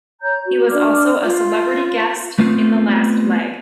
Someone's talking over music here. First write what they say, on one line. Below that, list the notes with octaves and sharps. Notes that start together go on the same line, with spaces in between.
He was also a celebrity guest in The Last Leg.
C#5 A#5 G6
F#4
D4 D6 F6
F4
A3 B3 C4 F4